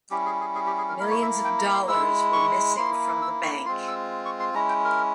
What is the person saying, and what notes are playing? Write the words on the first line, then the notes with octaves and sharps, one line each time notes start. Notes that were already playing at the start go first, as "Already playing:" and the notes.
Millions of dollars were missing from the bank.
G3 C#4 E4 G4
G#4
G#4
G#4
G4
G#4
A#4
A#3 E4 A#4
C#5
E5
G5
A#5
C6
G#3 E4 E6
C#6
A#3 E4 C6
E6
C#6
G#3 C4 F4 C6
E6
C#6
C6
G#3 C#4 E4 A#5
G5
A#4